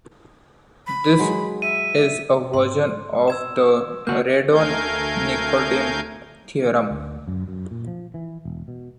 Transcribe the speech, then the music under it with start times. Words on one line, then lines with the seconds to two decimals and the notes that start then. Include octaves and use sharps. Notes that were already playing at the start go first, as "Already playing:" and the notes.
This is a version of the Radon-Nikodym theorem.
0.87 B5
1.19 F#3 G#3
1.62 E5 D#7
2.54 G#2 E4 C6
3.28 E6 G#6 E7
4.07 D3 A#3 F#4 G6
4.51 D2 A3 A#4 F5 G#5 G6
6.91 D2
7.28 F#2
7.48 F#2
7.71 A#2
7.87 F3
8.14 E3
8.45 E1
8.68 B2